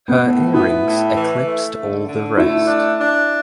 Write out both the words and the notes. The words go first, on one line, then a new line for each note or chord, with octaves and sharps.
Her earrings eclipsed all the rest.
B3
A2
B3 E4
A2
E3
A3
D3
D3
A3 E4
D4
D4